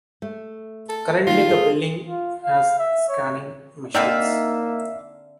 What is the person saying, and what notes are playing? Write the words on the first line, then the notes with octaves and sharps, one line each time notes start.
Currently, the building has scanning machines.
A3
A4
D#3 A3 F4
G#4 A4 D#5
F4
F5
E5
C#5
D3 A#3 C4 D#4 D5 E5 F5